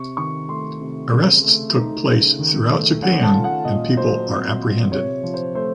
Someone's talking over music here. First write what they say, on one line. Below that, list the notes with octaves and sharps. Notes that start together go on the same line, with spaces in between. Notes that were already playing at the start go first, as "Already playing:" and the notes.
Arrests took place throughout Japan and people are apprehended.
Already playing: C3 C#6
D#3 C#6
A3 C6
C3
C#3
A3
D#4
C#3
D#3
A3
C#4 F#5
A5
F4
F#5
A#2 D#5
F#3 C5
C4
F4
C3 C#5
F3
C5
A3 C5